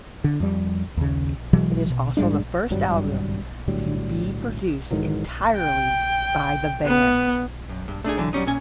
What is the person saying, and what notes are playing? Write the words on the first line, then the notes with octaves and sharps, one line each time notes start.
It is also the first album to be produced entirely by the band.
D3
F2 G3
D#2 C#3
B2 E3 F#3 G#3
B2
G#2 G3 G#3 D4
G#1 G2 F#3 G3
A2 D3 F#3 G3
G#2 D#3 E3 F#3
G5
B3
F#2
G2
A3 D4 D#4 G#4
D3 E3 F#3
F#3 G3 C#4 D#4
A#2 C#4 G#5